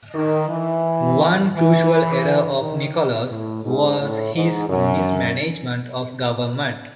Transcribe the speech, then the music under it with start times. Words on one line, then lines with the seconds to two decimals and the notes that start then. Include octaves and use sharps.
One crucial error of Nicholas was his mismanagement of government.
0.15 D#3
0.49 E3
1.54 E3
2.60 D#3
3.30 A2
3.64 G#2
4.00 A2
4.35 G#2
4.69 F#2